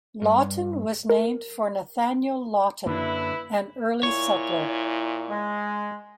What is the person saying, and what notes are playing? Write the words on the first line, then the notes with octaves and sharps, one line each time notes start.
Lawton was named for Nathaniel Lawton, an early settler.
G2
A#4
F#2 D3 A#3 D4 E4 B4
A#2 E4 C#5
G#3